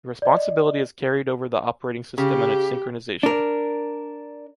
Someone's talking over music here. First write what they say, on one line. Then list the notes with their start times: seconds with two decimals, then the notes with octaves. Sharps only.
The responsibility is carried over the operating system and its synchronization.
0.22 D5 D#5
2.18 C#3 G4
3.23 D4 A#4